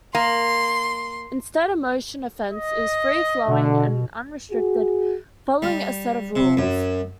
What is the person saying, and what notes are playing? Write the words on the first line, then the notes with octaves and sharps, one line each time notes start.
Instead, a motion offense is free-flowing and unrestricted, following a set of rules.
A#3 C6
D#5
B2 D3
F#4 G#4
G3
C3
F#2